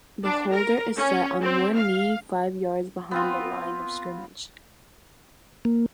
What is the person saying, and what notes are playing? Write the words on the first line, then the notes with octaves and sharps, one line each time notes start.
The holder is set on one knee five yards behind the line-of-scrimmage.
D4
A#4
C#4
C4
F5
B3 C4 F4
A#3